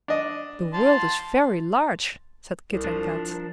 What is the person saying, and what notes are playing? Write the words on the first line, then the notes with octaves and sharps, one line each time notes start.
"The world is very large," said Kit and Kat.
D4 D#5
A5 C6
C2
F3 D4
A#4